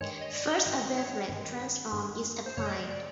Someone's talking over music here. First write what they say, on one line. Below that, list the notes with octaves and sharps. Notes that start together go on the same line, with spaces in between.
First a wavelet transform is applied.
G2 D#3 G#3 C#5
D#5
D5
G2 D#3 G#3 D#5
C#5
G2 D#3 G#3
G2 D#3 G#3
C5
F#2 C#3 F#3 C#5
D#5
D5
D5